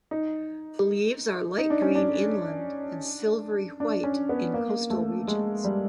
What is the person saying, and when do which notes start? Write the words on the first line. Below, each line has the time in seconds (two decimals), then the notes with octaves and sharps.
The leaves are light green inland, and silvery-white in coastal regions.
0.11 D#4
1.58 D#4
1.70 D4
1.82 C#4
1.95 D4
3.80 D4
4.04 C#4
4.29 B3
4.54 A#3
4.90 A3
5.28 G#3
5.64 G3